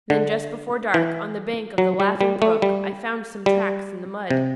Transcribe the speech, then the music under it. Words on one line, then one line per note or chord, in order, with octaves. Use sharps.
Then just before dark, on the bank of the Laughing Brook, I found some tracks in the mud.
D3
E3
F#3
G3
G3
A3
G3
G3
C3